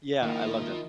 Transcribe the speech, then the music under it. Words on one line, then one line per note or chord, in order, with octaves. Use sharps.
yeah, I loved it.
D#3 F3 A#3 D#4 E4 A#4